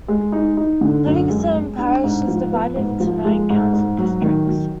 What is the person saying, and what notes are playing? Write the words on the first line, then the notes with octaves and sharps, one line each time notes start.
Livingston Parish is divided into nine council districts.
G#3
D#4
D#4
D3
F#2
G#3
G#3
D4
G#2
F3
B3
G#2
F3
G#3
G#2
G#2
F#3
D#3
F#3